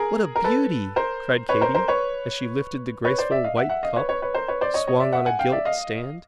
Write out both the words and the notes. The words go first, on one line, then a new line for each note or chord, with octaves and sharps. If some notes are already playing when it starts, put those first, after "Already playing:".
"What a beauty!" cried Katy, as she lifted the graceful white cup swung on a gilt stand.
Already playing: G#4 A#4
A#4
A4 B4
A#4 C5
B4 C#5
A#4 C5
A#4 C5
B4 C#5
B4 C#5
C5 D5
D5 E5
D#5 F5
E5 F#5
E5 F#5
D#5 F5
B4 C#5
B4 C#5
B4 C#5
A#4 C5
B4 C#5
C5 D5
C#5 D#5
C#5 D#5
D5 E5
E5 F#5
F#5 G#5
F5 G5
D5 E5
D#5 F5